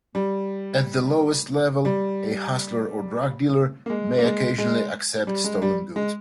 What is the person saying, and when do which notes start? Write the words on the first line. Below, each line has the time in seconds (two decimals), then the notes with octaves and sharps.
At the lowest level, a hustler or drug dealer may occasionally accept stolen goods.
0.15 G3
1.85 G3
3.86 A#3
3.90 G#3
4.18 A#3
4.24 G#3
4.58 G#3
5.27 G3
5.44 G#3
5.62 G3
5.96 G#3